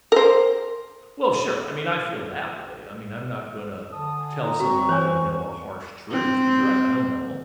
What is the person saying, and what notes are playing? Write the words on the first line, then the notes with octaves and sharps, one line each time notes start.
Well, sure, I mean, I feel that way, I mean, I'm not gonna tell someone I don't know a harsh truth, 'cause you're right, I don't know
A#4 C5
D3 A5 D#6
G#5
D#4 A#5
C4 F#4 C#6
E3 C5 C#5 G#5
F2
C4